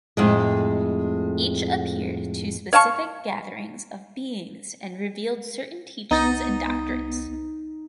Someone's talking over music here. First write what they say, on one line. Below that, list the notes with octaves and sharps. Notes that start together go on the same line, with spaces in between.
Each appeared to specific gatherings of beings and revealed certain teachings and doctrines.
F2 A2 G#3
C#5 F5 A5 C#6
C2 B3 D#4 A6